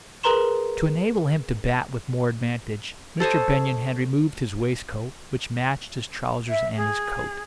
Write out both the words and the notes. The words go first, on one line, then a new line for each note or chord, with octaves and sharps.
To enable him to bat with more advantage, Mr. Benyon had removed his waistcoat, which matched his trousers and his coat.
G#4 A#4 B4 A#5 C6 E7
A4 C5 C#5 D#5
E5
G#4